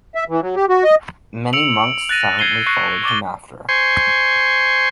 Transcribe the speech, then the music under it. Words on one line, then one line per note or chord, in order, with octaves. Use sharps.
Many monks silently followed him after.
E5
E3
F#3
G4
F#4
D#5
E6 C#7 D7 F7 F#7
D7
F#6 A6 A#6 D#7
G#6 C7 D#7 G7
C#6 F#6 A#6 C7 C#7
C#6 D6 A6 G7
C5 G#5 C6 C#6